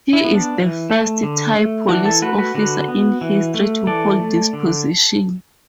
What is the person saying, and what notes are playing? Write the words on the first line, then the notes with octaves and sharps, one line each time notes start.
He is the first Thai police officer in history to hold this position.
E4
B3
D4
E3
A3
D3
A3
E3 D4 F#4
E4 A4
A3 F#4 B4
F#4 B4
D3 F#4 B4
B3
E3
A3
E3 A4 D5
A3
D3